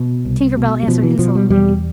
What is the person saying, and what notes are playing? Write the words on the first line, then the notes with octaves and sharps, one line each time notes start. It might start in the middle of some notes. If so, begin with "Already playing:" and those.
Tinker Bell answered insolently.
Already playing: B2
C2
B2
G3
B2 F3
E3
B2 F3
G3
E2 G3